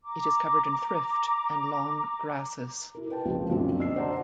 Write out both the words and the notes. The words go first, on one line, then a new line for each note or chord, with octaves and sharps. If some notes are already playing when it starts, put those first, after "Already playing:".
It is covered in thrift and long grasses.
A#5 D6
E4 A#4
B4 G5 A5
C#2 A#2 F3 A#3 C4
F#2 A#2 D3 F3 C4 D4
D5 D#5 E6 C7
C5 D5 F#5 A5 A#5